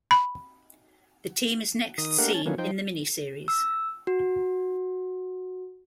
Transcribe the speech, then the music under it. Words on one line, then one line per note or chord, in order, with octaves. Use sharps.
The team is next seen in the mini-series.
B5
D#3 D#6
A3 A#3 D4 G4 A#4 F#5
C#4 A5
D3 D#3 F#3 A#3 B3 C#4
F3 D#4 C5 G5
E6
F#4